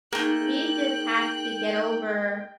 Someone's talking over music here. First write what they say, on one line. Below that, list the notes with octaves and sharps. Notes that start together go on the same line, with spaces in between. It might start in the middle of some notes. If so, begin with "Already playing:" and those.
she just has to get over
A3 A#3 D#4 G#4 G5 F#6